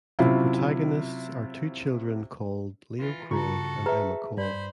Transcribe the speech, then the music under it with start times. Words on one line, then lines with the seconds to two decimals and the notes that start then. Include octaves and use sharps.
The protagonists are two children called Leo Craig and Emma Cole.
0.19 C3 F#3 C4 C#4 E4 F4
2.97 E3 F4
3.31 G2 C#3 F4 F#4 A4 A#5 C#6
3.86 G#4 B4 E5 A#5
4.38 G2 C5 D5 B5